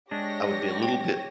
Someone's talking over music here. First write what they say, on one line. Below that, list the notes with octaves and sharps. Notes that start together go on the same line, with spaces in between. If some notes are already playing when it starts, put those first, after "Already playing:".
I would be a little bit
G#3 D4 G4 C#5 A#6
G5